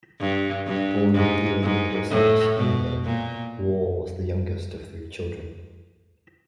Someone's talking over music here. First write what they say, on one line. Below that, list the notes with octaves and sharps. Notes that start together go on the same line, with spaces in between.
Born in Ealing, Middlesex, England, Warr was the youngest of three children.
G2
G2
G#2
G#2
A2
B2
A#2